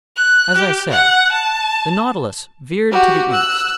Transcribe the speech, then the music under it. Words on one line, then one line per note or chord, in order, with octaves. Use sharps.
As I said, the Nautilus veered to the east.
F#6
G4
F#5
A5
F#4 G4
E6 F#6